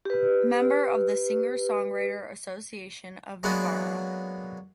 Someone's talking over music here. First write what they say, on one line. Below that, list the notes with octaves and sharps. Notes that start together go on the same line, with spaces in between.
Member of the Singer-songwriter Association of Navarra.
G4 B4
F#3 G#3 A#3 B3 D4